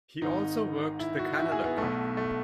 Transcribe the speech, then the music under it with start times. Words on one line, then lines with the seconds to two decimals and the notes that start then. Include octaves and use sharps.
He also worked the Canada Cup.
0.22 G#1 G#2 D#3 D#4
1.00 E4
1.19 F#4
1.39 E4
1.52 G#4
1.65 B3
1.77 B1 B2 A3
2.17 A3